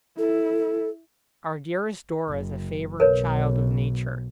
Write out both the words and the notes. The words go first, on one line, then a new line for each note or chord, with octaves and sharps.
Our dearest Dora is a favourite child of nature.
E4 A4
F#1
B1 A#4 B4 C#5